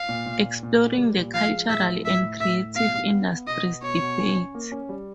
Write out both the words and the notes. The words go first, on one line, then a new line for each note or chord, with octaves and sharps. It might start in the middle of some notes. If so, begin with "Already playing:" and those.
"Exploring The Cultural and Creative Industries Debate".
Already playing: F5
A#2
A#2
A#2
A#2
A#3
G3
A#2
F3 F5
G#3
A2 E5
F3
A2 E5
A2
A2 E5
A2
B2 F5
G3
B3
B3
B2 D#5
B3
B2 C#5
B2
C#4
C#4
A#3
C#4
G3